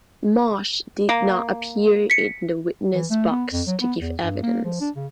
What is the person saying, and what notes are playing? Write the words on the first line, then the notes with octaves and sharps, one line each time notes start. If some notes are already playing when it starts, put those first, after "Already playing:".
Marsh did not appear in the witness box to give evidence.
A#3
B6 C#7
E3
A3
B3
F2
F#3
B3
E2
G2
A#3
F3
D4
C#3